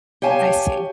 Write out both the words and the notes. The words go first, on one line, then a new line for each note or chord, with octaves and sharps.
I see.
G4 C#5 F5 G#5 A5